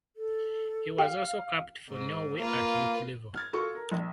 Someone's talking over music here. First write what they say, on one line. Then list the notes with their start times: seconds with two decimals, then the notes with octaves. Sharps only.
He was also capped for Norway at youth level.
0.16 A4
0.98 G4 F5
1.89 G#2
2.39 A#3 F4 B4
3.36 F6 G#6 A6
3.53 F4 F#4 A4 C#6
3.75 A#4
3.92 A#1